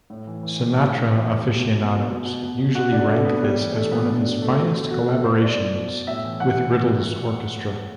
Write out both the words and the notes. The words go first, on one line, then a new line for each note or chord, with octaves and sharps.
Sinatra aficionados usually rank this as one of his finest collaborations with Riddle's orchestra.
A2
E3
E3
A2
A2 G4
E3
E3
A2
B2
B2
B2
B2
B2
B2
B2
B2
B2 F#4
B2 D4
B2 A3
B2 B3
A2 G3
E3
E3 A3
A2 B3
B2 D4
B2
B2 A3
B2
B2 A3
B2 F#4
B2 A4
B2 C5
B2 D5
B2
B2
B2
A2 E5
E3
E3 F#5